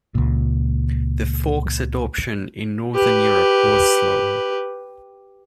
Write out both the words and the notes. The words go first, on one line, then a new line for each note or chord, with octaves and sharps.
The fork's adoption in northern Europe was slower.
C#2 A#2
G4 B4